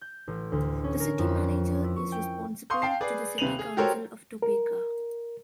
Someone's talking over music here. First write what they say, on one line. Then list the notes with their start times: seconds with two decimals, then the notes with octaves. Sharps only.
The City Manager is responsible to the City Council of Topeka.
0.01 G6
0.27 A1
0.52 D2
0.84 C#4
1.00 A#4
1.19 F2
1.84 E4
1.96 C#6
2.12 G5
2.70 F5 C6 C#6 D#6 G6
2.82 F5 G5 A5 C7
3.01 G#4 B4 D5
3.38 D#1 C3 B4 D#7 F7 F#7
3.59 G#4
3.77 F#4 G4 A4 A#4 C5 C#5
4.42 A#4